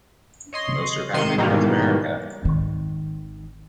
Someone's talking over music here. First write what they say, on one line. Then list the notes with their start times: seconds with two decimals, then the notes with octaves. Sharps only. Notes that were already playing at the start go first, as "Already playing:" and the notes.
Most are found in North America.
0.53 C#5 D#5 C6
1.14 C3 D#3 C6 C#7 D#7 E7
1.38 G#2 B2 D#3 E3 G3 A#3
2.43 G#1 D#3